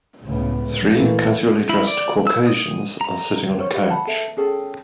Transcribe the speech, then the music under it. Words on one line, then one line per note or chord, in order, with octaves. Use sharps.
Three casually dressed Caucasians are sitting on a couch.
C#2 A2 C#3 B3
A#2 E3 A3 A#3
E4
D5
E6
D#6
A#5
C5 C#5
G4 D#5 F5
F#5 A5 B5
A4 E5
C#4 G#4 A4 G5